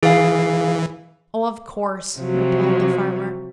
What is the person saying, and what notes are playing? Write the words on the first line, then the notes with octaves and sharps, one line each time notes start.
"Oh, of course," replied the farmer.
E3 G#4 F5
C3 F3 F#3